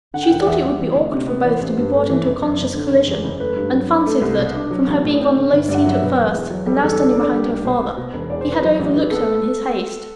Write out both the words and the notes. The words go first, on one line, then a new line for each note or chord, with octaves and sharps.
She thought it would be awkward for both to be brought into conscious collision; and fancied that, from her being on a low seat at first, and now standing behind her father, he had overlooked her in his haste.
D3 F#5
G5
E1 F#5
D5
E2 E5
G3
E3
D2
C3
B3
E3 D5
C5
A1
C5
G2 B4
A3
E3
F#1
F#2
F#1
D3
F#1
E2
F#1
A3 B4
G2
F#3
D4
A3
C2
B2
D4
F#3
A1
A2
C4
D3
G1
G2 D5
F#5
E5
F#3
E5
B2 B4
E1
E2
F#3
G3 A4
E2 A4
D3
D5
D4
D5
G3
B1
B2 C5
B3
B2
E1
E2 D5
C5
E1 B4
F#3 C5
A1
A2 B4
B3 A4